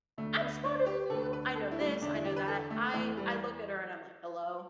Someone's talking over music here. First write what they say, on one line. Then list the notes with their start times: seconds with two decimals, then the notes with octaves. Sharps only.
"I'm smarter than you. I know 'this', I know 'that'." I I look at her and I'm like, "Hello?"
0.18 D2 D3 A3
0.41 B3
0.65 D4
0.86 G4
1.10 D2 D3 A4
1.33 B4
1.55 A4
1.72 E4
1.81 G3
1.86 A3
2.02 E2 D4
2.07 D3
2.14 E4
2.25 G4
2.36 B4
2.48 A4
2.70 A3
2.93 E2 E3 A3
3.17 G3